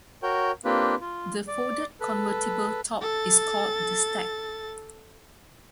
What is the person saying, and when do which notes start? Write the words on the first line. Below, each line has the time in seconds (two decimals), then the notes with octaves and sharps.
The folded convertible top is called the stack.
0.23 F#4 A#4 C#5 G5
0.65 A#3 C4 D4 F4 G4 B4
1.01 F4
1.48 D5
2.01 A4 B4
3.01 A4 A6